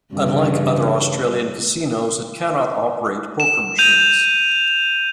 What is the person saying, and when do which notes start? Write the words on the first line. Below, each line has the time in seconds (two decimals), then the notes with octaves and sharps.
Unlike other Australian casinos, it cannot operate poker machines.
0.13 G2 C#3 E3
3.40 E7
3.78 G6 D#7 F7